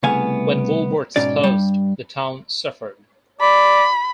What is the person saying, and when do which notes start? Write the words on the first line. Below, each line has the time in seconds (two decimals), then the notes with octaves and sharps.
When Woolworth's closed, the town suffered.
0.03 C2 C#3 A3 B3 F5 G#5
1.16 G#2 B2 C#4 D5
1.44 G2 G3
3.41 D5 B5